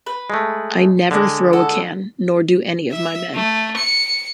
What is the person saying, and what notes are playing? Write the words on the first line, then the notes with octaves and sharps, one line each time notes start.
I never throw a can nor do any of my men.
B4
G#3 A3
D3 G#3
A4 F#5
E5
A3
C#7